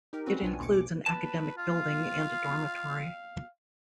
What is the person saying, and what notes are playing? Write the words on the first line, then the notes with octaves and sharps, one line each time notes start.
It includes an academic building and a dormitory.
D#4 G4 A#4
C4 C#4 F#4 B4
B1 D4 F4 G#5
D#2 B2 A3 D6 C#7
D6
B4 A5
F4 F5